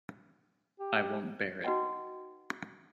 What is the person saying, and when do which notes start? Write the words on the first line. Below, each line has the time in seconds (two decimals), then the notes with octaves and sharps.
I won’t bear it.
0.80 G4
1.64 D#4 F#4 B4 D#5 F#5 G5